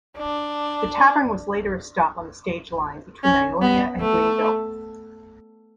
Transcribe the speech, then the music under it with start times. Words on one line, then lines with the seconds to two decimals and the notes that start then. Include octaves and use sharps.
The tavern was later a stop on the stage line between Ionia and Greenville.
0.18 D4
3.24 C#4
3.62 B3
4.01 A3